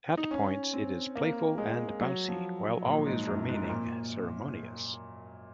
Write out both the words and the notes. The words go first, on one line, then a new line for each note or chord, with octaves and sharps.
At points it is playful and bouncy, while always remaining ceremonious.
D#4
C#4
C4
A#3
G#3
F#3
F3
A#2
G#2
F#2
G#2
G#2
A#2